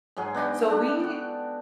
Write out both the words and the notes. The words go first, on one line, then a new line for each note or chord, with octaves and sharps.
So, we
G#2 F#3 G#4 G#5
B3 D4 D#5 G5
D4 A4
F#4 G5